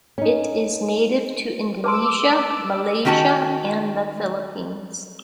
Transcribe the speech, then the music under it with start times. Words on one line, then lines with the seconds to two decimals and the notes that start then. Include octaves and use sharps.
It is native to Indonesia, Malaysia, and the Philippines.
0.18 C#4 D#4
1.84 B4 A5 C6 D6 E6
3.05 D#3 C#4 F#4 G5 A5